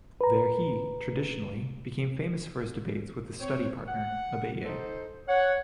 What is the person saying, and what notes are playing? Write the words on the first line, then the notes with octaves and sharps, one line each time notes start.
There he, traditionally, became famous for his debates with his study-partner Abaye.
B4 A#5
C4 C#5
F#5
D#4 A4 C5
C#5 F#5